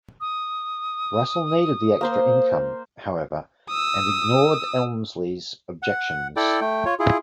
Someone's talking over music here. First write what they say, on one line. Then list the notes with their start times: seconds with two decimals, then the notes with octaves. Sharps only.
Russell needed the extra income, however, and ignored Elmsley's objections.
0.21 D#6
2.01 A#3 C5 C6
3.69 D#6 E6
5.82 F#5
6.36 E4 A4 D5 G5
6.61 A3 G5
6.85 F4 C#5
6.99 E4 F4 G#4